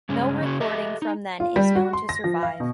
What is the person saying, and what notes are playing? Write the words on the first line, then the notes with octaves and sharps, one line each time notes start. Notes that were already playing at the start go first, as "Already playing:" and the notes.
No recording from then is known to survive.
G2 C#3 G#3 C#4
C#3 C#4 F4 F#4 G#4
G4 A4 D#5 E5
D#4
F4
G3
F#4
C6
A#6
F3
F5
B2